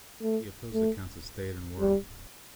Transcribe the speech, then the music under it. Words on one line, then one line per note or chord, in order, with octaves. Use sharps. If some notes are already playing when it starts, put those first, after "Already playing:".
He opposed the counts of Stade and Werl.
A3
A3
G3